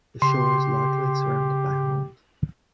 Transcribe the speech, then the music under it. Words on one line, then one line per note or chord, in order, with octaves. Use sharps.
The shore is largely surrounded by homes.
C#3 G4 C6